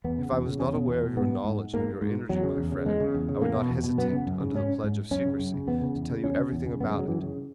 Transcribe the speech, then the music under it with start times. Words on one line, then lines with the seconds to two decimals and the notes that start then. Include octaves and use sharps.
If I was not aware of your knowledge and of your energy, my friend, I would not hesitate, under the pledge of secrecy, to tell you everything about it.
0.04 E2 B3
0.18 C#3
0.32 E2
0.46 C#3
0.60 E2 C#4
0.74 B2
0.88 E2
1.02 B2
1.17 G#2 B3
1.44 G#2
1.73 G#2 A#3
2.01 G#2
2.29 E2 F#3
2.43 C#3
2.58 E2
2.72 C#3
2.85 E2 G#3
3.00 C#3
3.15 E2
3.29 C#3
3.42 E2 A#3
3.56 B2
3.70 E2
3.84 B2
3.98 F#2 B3
4.12 C#3
4.27 F#2
4.40 C#3
4.54 G#2 C#4
4.84 G#2
5.11 F#2 C#4
5.26 C#3
5.39 F#2
5.54 C#3
5.67 E2 B3
5.82 C#3
5.95 E2
6.09 C#3
6.24 E2 C#4
6.39 C#3
6.52 E2
6.66 C#3
6.81 F#2 B3
6.89 G#3
6.95 C#3 F#3
7.08 F#2 E3
7.23 C#3